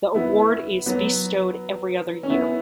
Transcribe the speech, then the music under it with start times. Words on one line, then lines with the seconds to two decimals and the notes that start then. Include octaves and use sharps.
The Award is bestowed every other year.
0.15 B3 E4
0.86 F#3 B3
2.23 C#4
2.30 B3 E4